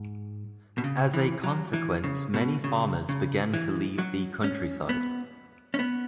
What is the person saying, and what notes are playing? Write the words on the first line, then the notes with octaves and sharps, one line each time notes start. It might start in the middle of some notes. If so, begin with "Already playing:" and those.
As a consequence many farmers began to leave the countryside.
Already playing: G#2
B2
C#3
E3
F#3
E3
C#3
B2
C#3
C#3
E3
F#3
C#4
B3
C#4
B3